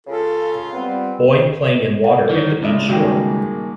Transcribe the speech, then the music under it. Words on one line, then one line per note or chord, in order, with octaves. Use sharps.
Boy playing in water at the beach shore.
C#2 C#3 F4 A4
G3 B3 C4
F#5
D3 D#3 E4
C#2 D4 D#5 E5
A1 D#3 G3 A#3 F#4 G#4 G5